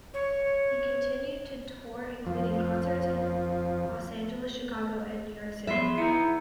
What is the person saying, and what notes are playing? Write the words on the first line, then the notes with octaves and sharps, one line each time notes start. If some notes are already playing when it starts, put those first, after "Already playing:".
He continued to tour including concerts in Los Angeles, Chicago and New York City.
C#5
F2 F3
F3 F#3 B3 G#4 E5 B5 C6
B3 D#4 E4 A#5